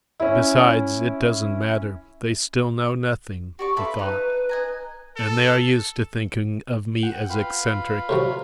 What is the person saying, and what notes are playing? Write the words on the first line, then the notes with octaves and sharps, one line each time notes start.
"Besides, it doesn't matter, they still know nothing," he thought, "and they are used to thinking of me as eccentric."
C#4 E4
F#4 G4 D5 C#6
F4 A4 B4 E5
D#4 B4
D#5 G#5 A#5
A4
F#5 G5
F4 B4
A2 C3 F#3